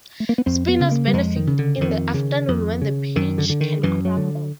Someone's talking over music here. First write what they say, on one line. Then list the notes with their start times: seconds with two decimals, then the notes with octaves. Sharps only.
Spinners benefit in the afternoon when the pitch can crumble.
0.20 A3
0.29 A#3
0.38 B3
0.46 F2 C4
0.68 B3
0.80 C#3
0.91 A#3
1.07 G3
1.13 F2 G#3
1.36 D#3
1.47 C#3
1.59 D3
1.81 F2 D#3
2.14 C#3
2.48 F2
2.82 C#3
3.16 F#2 D#3
3.38 D3
3.50 D3
3.61 D#3
3.83 F#2 E3
4.05 F#3
4.17 D3